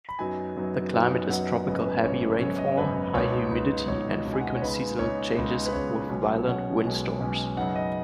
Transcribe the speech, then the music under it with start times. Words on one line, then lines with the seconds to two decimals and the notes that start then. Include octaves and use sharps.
The climate is tropical-heavy rainfall, high humidity, and frequent seasonal changes with violent windstorms.
0.09 B5
0.19 F#2 F#3 B3 D#4 G#5
0.56 F#2 F#3 B3 D#4
0.93 F#2 F#3 B3 D#4
1.30 F#2 F#3 B3 D#4 F#5
1.67 G#1 F#2 C#3 B3 D#5
1.85 B4
2.04 G#1 F#2 C#3 B3 C#5
2.41 G#1 F#2 C#3 B3 C#5
2.58 D#5
2.77 G#1 F#2 C#3 B3 B4
3.14 C#2 B2 B3 D#4 C#5
3.51 C#2 B2 B3 D#4
3.88 C#2 B2 B3 D#4 C#5
4.25 C#2 B2 B3 D#4
4.33 G#5
4.41 F#5
4.48 D#5
4.55 C#5
4.62 C#2 C#3 B3 D#4 B4
4.99 C#2 C#3 B3 D#4 C#5
5.36 C#2 C#3 B3 D#4
5.66 B4
5.72 C#2 C#3 B3 D#4 C#5
6.09 B1 B2 G#3 C#4
6.47 B1 B2 G#3 C#4 F#5
6.83 B1 B2 G#3 C#4
7.20 B1 B2 G#3 C#4
7.57 F#2 C#3 B3 D#4 F#5
7.76 D#5